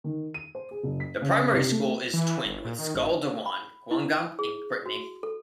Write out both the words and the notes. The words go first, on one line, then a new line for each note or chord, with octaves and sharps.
The primary school is twinned with Skol Diwan, Guingamp in Brittany.
D#3
D#7
C5
G#4
F#1
B6
C#3
C3
A3
E3
G1
A#2
D#3
G#1
B5
E4
G#4
F#4
A4